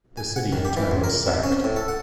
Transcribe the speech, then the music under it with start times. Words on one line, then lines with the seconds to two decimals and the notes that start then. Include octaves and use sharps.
The city in turn was sacked.
0.17 G#5
0.36 F#5
0.52 D#3
0.65 G4
0.77 E3
0.91 C#2
1.04 A#4
1.26 C3
1.44 C#4
1.64 A2
1.76 A4
1.88 F#5